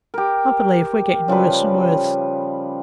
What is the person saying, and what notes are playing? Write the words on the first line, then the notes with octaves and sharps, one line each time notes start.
I believe we're getting worse and worse.
G4 A#4
C#3 F3 G3 B4